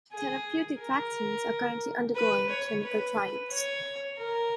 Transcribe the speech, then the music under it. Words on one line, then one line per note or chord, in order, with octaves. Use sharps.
Therapeutic vaccines are currently undergoing clinical trials.
G#4
A#4
B4
C#5
B4
C#5
A#4